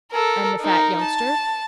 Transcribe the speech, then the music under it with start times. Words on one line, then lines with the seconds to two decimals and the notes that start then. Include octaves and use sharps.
"And the fat youngster?"
0.12 A4 A#4
0.60 D#4 A#4
1.01 A5